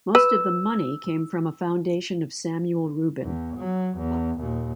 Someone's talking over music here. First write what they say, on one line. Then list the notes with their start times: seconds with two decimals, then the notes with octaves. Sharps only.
Most of the money came from a foundation of Samuel Rubin.
0.15 B4 E6
3.23 E2
3.58 F#3
3.98 E2
4.39 D#2 A#2